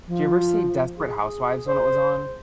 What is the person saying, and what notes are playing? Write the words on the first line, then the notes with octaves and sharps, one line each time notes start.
Do you ever see Desperate Housewives when it was on?
F3
G#4
C5